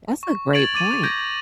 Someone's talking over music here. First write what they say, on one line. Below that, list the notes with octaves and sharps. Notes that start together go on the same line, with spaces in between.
That's a great point.
C#6
G#6 A6 D7 F7 F#7
D6 A6 D#7
G6 G#6 A#6 D7